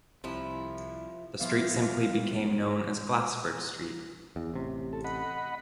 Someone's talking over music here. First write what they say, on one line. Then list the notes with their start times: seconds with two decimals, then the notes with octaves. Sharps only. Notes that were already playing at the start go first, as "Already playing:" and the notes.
The street simply became known as Glassford Street.
0.24 C2 C3 F3 E4
1.41 E3 F3 G3 B3 C4 F5
4.36 E2
4.54 A1 C3
4.93 A4
5.04 D#5 F#5 B5